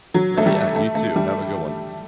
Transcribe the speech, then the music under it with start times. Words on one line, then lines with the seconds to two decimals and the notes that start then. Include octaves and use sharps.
No. Yeah. You too. Have a good one.
0.14 F#3
0.38 A3
0.46 G3
0.76 A3
0.95 A3
1.16 G3